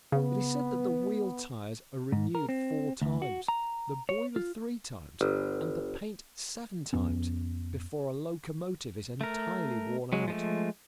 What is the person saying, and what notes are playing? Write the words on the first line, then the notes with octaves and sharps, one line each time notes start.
It is said that the wheel-tires are renewed four times, the boiler three times, and the paint seven times, before a locomotive is entirely worn out.
C#3 B3
G#2
A#4
C4
D2
F#4
A#5
C#5
F4
G1
F2 B3 C#4
A3 A#4
F#3 G#3
F3 G#3 A3